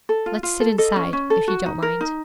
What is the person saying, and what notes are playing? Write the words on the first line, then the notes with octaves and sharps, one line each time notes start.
Let's sit inside, if you don't mind.'
A4
F4
F4
A4
A4 D#5
C#4
C#4
A4
F#4
D#4
A#4
D#4